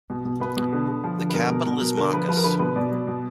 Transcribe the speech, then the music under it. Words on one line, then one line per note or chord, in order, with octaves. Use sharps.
The capital is Macas.
B2
B2
B2 B4
B2
D3
D3
F3
D3
B4
B2 A#4
B2
B2
F#3
D3 A#4
F3 B4
F3 B4
A#4
D3 B4
B2 B4
B2 D5
F#3
B2